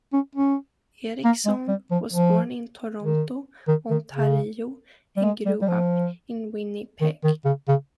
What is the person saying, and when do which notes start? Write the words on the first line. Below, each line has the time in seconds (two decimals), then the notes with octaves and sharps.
Erikson was born in Toronto, Ontario, and grew up in Winnipeg.
0.13 C#4
0.35 C#4
1.25 A#3
1.46 G#3
1.68 G3
1.91 F3
2.13 F3
3.02 D#3
3.68 D#3
3.90 D#3
4.13 C#3
5.17 G3
5.24 G#3
5.46 G3
5.62 G3
5.68 F3
7.01 D#3
7.24 D#3
7.45 C#3
7.68 C#3